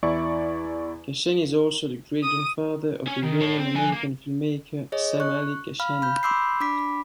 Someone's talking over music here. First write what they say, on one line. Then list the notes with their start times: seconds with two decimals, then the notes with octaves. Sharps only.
Kashani is also the great grandfather of Iranian-American filmmaker Sam Ali Kashani.
0.03 E2 E4 D5 C#6
2.23 D#6
3.08 C#4
3.24 D#3
3.41 A4 C#5
3.59 C4
3.75 F3 G#5
3.93 A#3
4.92 G#4 C#5 D#5
5.20 C#6 F#6
5.80 F5 B5 F6
6.02 B5 G6
6.23 B5 C6 D6 E6 G6 C7
6.60 D4 B5 D6 B6